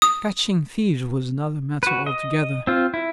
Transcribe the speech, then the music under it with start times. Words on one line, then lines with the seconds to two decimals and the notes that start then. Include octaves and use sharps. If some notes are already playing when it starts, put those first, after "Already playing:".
Catching thieves was another matter altogether.
0.02 D#6
1.83 F#4 B4
2.06 D#5
2.67 C4 F4
2.94 E4